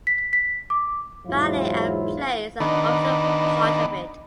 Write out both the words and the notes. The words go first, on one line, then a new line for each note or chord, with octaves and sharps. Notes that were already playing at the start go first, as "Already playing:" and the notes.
Ballet and plays are often part of it.
B6
B6
D6
E2 G#2 F#3 E4 F4
D#3 B3 D4